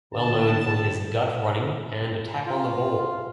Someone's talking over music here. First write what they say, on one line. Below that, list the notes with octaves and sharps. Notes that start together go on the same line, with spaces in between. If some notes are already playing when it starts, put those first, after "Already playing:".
Well known for his gut running and attack on the ball.
A#2 D3 A5
F4